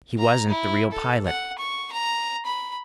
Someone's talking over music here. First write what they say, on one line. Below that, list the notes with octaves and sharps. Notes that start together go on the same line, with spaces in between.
He wasn't the real pilot.
A#5
E4
A4
F#5
C#6
A#5
B5